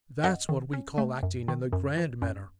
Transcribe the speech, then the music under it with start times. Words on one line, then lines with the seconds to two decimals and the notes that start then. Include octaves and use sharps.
That's what we call acting in the grand manner.
0.24 F#2 D#5 F#5
0.49 D#3
0.73 C#4
0.98 A3
1.23 F#2
1.48 D#3
1.73 F#2
1.97 E3
2.22 F#2